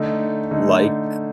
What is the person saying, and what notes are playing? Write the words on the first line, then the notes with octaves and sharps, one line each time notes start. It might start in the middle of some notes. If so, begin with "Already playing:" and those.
like f
Already playing: D3 A3 D#4
D3 A3 D#4